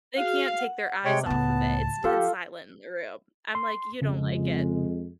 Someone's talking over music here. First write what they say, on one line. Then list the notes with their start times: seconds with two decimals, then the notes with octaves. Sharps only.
They can't take their eyes off of it, it's dead silent in the room, I'm, like, "You don't like it?"
0.18 F#4 G#4 F5
0.58 F#5
1.05 C3 G#3 C#5 G5
1.26 C#2 A2 B3 A5
2.04 F3 F4 G4 A4
3.55 C6
4.02 F2 C#3 G#3